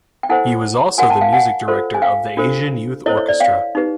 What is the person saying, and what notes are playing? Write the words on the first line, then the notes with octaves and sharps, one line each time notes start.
He was also the Music Director of the Asian Youth Orchestra.
G5
E4 A4 C5 F#5 G#5
F#4 A#4 C#5 F#5 G#5
G5 A5
F5 G5
F#5 G#5
F4 A4 C5
G#5
F5 G5
D4 F4 A4 C5
E4 A4 C5 C#5 D#5
C#5
D5
F5 G5
D#4 G4 B4